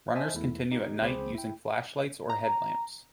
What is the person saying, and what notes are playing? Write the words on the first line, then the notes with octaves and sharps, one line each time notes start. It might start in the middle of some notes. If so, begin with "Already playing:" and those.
Runners continue at night using flashlights or headlamps.
C5 D#5 E5 G#5 A5
E2 A3 E4
D#4 G4
C#2 C4 G#4 C5 B5 D6
E4 G5
A#5